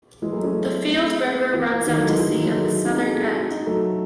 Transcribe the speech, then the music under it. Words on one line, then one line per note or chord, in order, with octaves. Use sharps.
The Field River runs out to sea at the southern end.
E3 G#3
F#3 A3
A3 C#4
F#3 A3
G#3 C4
E3
E3
D#3
F#3 A3
E3 G#3
E3
D#3 F#3
E3 G#3
F#3 A3
C4 D#4
E4 G#4
F#4 A4
F#4 A4
D#4 F#4
F#3 A3